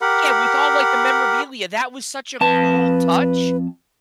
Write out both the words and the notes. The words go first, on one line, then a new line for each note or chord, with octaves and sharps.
Yeah, with all, like, the memorabilia, that was such a cool touch.
G4 A#4 F#5 B5
F2 B4 A5